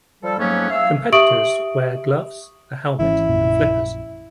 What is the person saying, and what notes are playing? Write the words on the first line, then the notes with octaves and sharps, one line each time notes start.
Competitors wear gloves, a helmet, and flippers.
F3 G3 A4
F2 G#2 F#3 A#3 B3 C#4
E4 F5 E6
G4 E5 C#6 D#6 D7 F#7
G#1 E3 C#4 E4
A#1 F#2 A#2